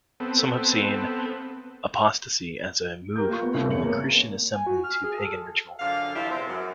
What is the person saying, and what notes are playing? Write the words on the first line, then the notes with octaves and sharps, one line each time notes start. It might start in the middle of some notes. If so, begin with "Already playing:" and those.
Some have seen apostasy as a move from the Christian assembly to pagan ritual.
B3 C4 A4
G4 A#4 G6
A#3 F4 C#6
B3
C2 A2 C#3
E2 C#5 C#7 F#7
A#3
G#5
F#4
F6
G#4
A4
F#2 D3 F3 F5
E3 F3 G3 E4 G4 E5
C3 G#3 B3 C4
F#2